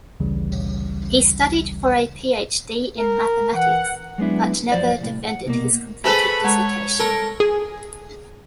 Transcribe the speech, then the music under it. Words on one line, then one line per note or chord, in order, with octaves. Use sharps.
He studied for a PhD in mathematics, but never defended his completed dissertation.
A1 D2 C#3 E3 G3
A#4
E3 F#5
F#3 G#3 B3 D4 E4
F#2 A#2 F3 C5 D5
C2 A2
F#5
C2 B2 A#3
A3 G#4 A4 B4 C5 G#5 B5
G#3 C#5 A#5
A4 A#4
G#4